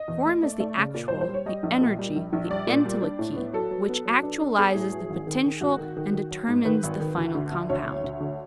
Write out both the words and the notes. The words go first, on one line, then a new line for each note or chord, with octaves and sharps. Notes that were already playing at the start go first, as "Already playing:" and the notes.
Form is the actual, the energy, the entelechy which actualises the potential and determines the final compound.
Already playing: D#5
E2
A3
A3 D5
A3
C#3
A#2 D5
C5
G3
C5
G3
C#5
G3 D#5
A#1
A#2
G3
A#1
A#1
G3 D5
A#2
G3
D4
A2
B3
F#3 A4
F#3
B3
F#3
D4
D4
B3 G#4
A2
F#3
G#1
D#3
D#3
G#1 F#4
D#3
D#3
D#3
F#3
G#2
D#3 B4
G#1
D#3
D2
D3
D2
D2 C#5
D2
D2
D3